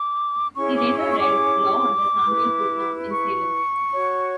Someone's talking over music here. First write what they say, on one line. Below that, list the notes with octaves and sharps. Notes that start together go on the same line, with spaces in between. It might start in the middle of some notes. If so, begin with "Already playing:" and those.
He later read law under Samuel Putnam in Salem.
Already playing: D6
C#4 E4 G#4 C#5 C#6
D6
E6
C#6
D6
E4 B4
C#6
F#4 C#5